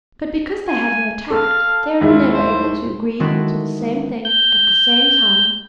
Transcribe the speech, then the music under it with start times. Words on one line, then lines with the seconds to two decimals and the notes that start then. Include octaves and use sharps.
But because they have no tact, they are never able to agree to the same thing at the same time.
0.66 G#5
1.30 A4 F5
2.01 D#2 G#3 E4 F4
2.32 C5
3.20 D#3 G#3 E4 F#4 A4
4.25 G6